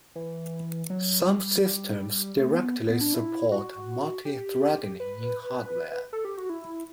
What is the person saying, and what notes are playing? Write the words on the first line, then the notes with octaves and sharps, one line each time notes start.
Some systems directly support multithreading in hardware.
E3
F#3
G3
G3
A3
B3
B3
B3
D4
E4
F#4
G4
B4
A4
G4
F#4
E4